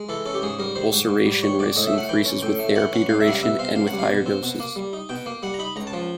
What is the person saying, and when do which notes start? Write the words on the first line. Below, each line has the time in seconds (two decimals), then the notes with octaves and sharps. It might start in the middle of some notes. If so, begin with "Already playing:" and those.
Ulceration risk increases with therapy duration, and with higher doses.
Already playing: G#3
0.09 E3 A4
0.25 C#4 A4
0.34 G4
0.42 G#2 G#4
0.59 G3 A#4
0.76 D#3 C5
0.92 G#2
1.09 G#2
1.26 G3
1.43 D#3 C#5
1.59 G#2 D5
1.76 A2 D#5
1.87 E5
1.93 A3 F#5
2.09 E3 G5
2.25 C#4
2.42 A2 G5
2.59 A3
2.76 E3 F#5
2.92 C#4 F#5
3.09 C#2 F5
3.20 E5
3.27 G3 F#5
3.32 F5
3.43 B2 E5
3.59 C4 F5
3.76 C#2 F5
3.87 F#5
3.93 G3
3.99 F5
4.10 B2
4.26 C4
4.43 B2
4.60 A#3
4.76 G3
4.93 D#4
5.09 B2 G5
5.26 A#3
5.43 G3 F#5
5.54 A#5
5.59 D#4 B5
5.76 C#2 A#5
5.87 A5
5.93 F3